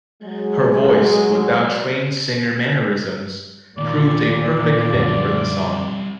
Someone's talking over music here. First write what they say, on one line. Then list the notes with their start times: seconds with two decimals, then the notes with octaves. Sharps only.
Her voice, without trained singer mannerisms, proved a perfect fit for the song.
0.23 F#3 G#3
3.78 D#2 A#2 D#3 D5
4.94 F#2 D3 F3 G3 E5